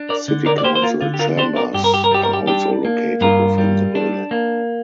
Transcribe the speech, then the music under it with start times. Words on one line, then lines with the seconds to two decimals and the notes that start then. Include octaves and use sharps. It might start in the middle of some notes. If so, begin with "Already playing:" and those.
City Council chambers are also located within the building.
Already playing: D4
0.09 A#4 D5
0.28 D3
0.46 A#4 D5
0.58 D5
0.64 A#3 G4 C5
0.75 C5
0.82 F4 A#4
1.01 D3 F4
1.14 G4
1.19 F4 A#4
1.37 D4 G4 C5
1.56 A#4 D5
1.74 G2 G4
1.84 A#4
1.94 G4
2.04 A#4
2.11 G3 G4
2.24 A#4
2.33 G4
2.47 D4 G4
2.85 A#3
3.21 G2 F4 A#4
3.58 G3
3.95 D4
4.31 A#3